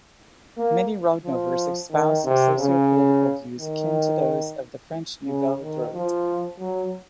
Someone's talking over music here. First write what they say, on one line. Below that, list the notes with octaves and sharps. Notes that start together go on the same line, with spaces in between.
Many Rodnovers espouse socio-political views akin to those of the French "Nouvelle Droite".
A#3
F3
D#3
C3
C#3
D#3
C#3
D#3
F3
F#3